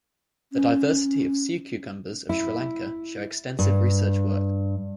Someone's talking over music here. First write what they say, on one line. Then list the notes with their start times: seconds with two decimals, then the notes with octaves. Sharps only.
The diversity of sea cucumbers of Sri Lanka show extensive research work.
0.53 C#4
2.29 E4
3.59 G2